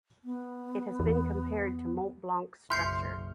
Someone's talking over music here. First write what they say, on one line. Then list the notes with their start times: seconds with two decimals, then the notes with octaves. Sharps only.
It has been compared to Mont Blanc's structure.
0.24 B3
1.00 E2
2.70 F#1 B1 E5 C6 F6 G6 C7 C#7